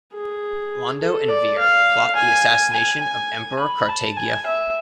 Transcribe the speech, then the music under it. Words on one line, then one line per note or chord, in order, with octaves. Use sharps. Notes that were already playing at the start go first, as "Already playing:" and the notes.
Londo and Vir plot the assassination of Emperor Cartagia.
G#4
A4
D5
F5
G#5
G#5
G#5
B5
A5
G#5
E5